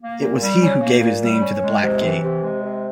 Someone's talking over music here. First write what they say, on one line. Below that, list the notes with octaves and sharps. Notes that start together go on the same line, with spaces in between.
It was he who gave his name to the Black Gate.
A#3
A#2
G3
C#4
A#3
A#2
G3
C#4
G#3
C3
E3
C3
G#3
C3